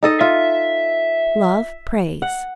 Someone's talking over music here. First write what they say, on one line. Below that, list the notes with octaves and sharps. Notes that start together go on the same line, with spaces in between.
Love prays.
D#4 A4 D#5
F4 E5
F#5